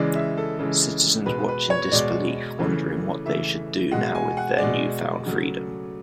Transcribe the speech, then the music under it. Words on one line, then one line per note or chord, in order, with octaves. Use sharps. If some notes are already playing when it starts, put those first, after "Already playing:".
Citizens watch in disbelief, wondering what they should do now with their new-found freedom.
Already playing: C#3 E3 G#3 D5
E5
A4
C#3 E3 G#3 A4
B2 G#3 B4
B4
C#5
B2 G#3 D5
C#3 E3 A3
C#3 E3 A3 E5
B2 G#3 F#5
G#5
F#5
B2 G#3 D5
C#3 F#3 A3